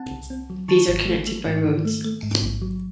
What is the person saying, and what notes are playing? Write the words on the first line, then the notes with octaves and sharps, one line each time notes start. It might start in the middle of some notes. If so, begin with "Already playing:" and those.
These are connected by roads.
Already playing: C4 F#5 A5
C2
C4
F#3
D#3 A5 C#6
G#1
A3
A3
G#2
D#3
A3
A3
G#2
A1
F#3